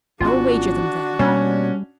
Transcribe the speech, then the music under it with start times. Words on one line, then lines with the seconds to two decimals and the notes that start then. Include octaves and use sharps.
"I will wager them, then."
0.20 G#1 B3 C#4 D4 F4 F#4
1.19 B2 G3 A#3 C#4